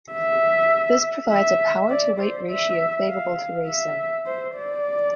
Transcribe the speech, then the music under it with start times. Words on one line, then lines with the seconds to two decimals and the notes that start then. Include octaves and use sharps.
This provides a power-to-weight ratio favorable to racing.
0.12 E5
1.30 E5
1.90 D5
2.20 C5
2.49 E5
3.08 F5
3.68 E5
4.26 C5
4.56 D5